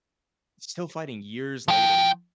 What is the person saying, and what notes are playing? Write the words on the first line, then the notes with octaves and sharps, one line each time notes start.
still fighting years later.
F3 G5